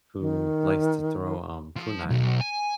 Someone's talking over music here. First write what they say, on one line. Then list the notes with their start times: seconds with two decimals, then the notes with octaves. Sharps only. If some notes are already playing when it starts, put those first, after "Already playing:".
who likes to throw, um, kunai,
0.20 D#3
1.76 F3
2.10 B1
2.40 G#5